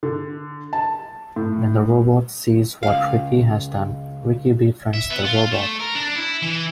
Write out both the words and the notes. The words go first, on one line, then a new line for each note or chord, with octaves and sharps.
When the robot sees what Ricky has done, Ricky befriends the robot.
D3
A5
A2
C#2 F5
E5
B3
F4
A3
A#4
D4
E4
E3